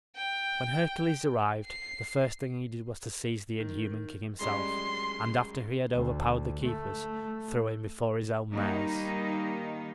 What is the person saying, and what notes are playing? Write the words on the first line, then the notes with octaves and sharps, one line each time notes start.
When Hercules arrived the first thing he did was to seize the inhuman king himself and after he had overpowered the keepers, throw him before his own mares.
G5
C7
D#3
F#2 G3 G#3 C6
D2
A3
D#3 G3 A#3 D#4